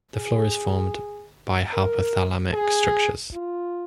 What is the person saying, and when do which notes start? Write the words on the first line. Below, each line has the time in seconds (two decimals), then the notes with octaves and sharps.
The floor is formed by hypothalamic structures.
0.15 G#4
1.74 A#4
2.53 G#4
3.33 F4